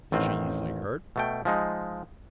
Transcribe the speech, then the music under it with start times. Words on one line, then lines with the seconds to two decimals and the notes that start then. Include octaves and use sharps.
Is she easily hurt?
0.12 A1 D#3 C4
1.16 B2 A3 G5
1.45 F3 G#3 D#4